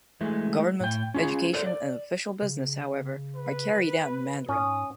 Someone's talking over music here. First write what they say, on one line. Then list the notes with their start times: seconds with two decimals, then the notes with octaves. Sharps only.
Government, education, and official business, however, are carried out in Mandarin.
0.21 E3 G#3 A3
0.80 A2 G5
1.14 C#4 F4 G#4 C#5
1.53 A4 A#4 C5 D5
1.66 D5
2.42 C#3
3.36 B4
4.49 G#2 C#4 D#6